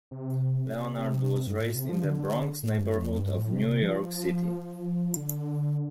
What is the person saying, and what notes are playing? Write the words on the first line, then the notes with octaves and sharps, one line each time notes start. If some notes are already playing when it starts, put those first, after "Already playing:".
Leonard was raised in the Bronx neighborhood of New York City.
C3
G2
A2
C3
F3
D3
D3
D3
A2
G2
F2
G2
A2
C3
C3
F3
D3